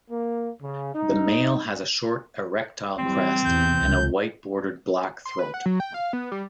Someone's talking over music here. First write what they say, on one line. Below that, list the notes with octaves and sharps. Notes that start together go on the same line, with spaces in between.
The male has a short erectile crest and a white-bordered black throat.
A#3
C#3
D#4
E3 G3 C4
E2 C3 E3 G6
C#2
C6
B4
F#5
F#3
G5
F5
B3
G3